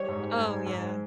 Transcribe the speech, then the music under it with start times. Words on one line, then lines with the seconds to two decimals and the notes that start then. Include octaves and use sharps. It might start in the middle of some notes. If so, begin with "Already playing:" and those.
Oh yeah.
Already playing: G3 C#5
0.08 G#2
0.37 G#2
0.66 G#2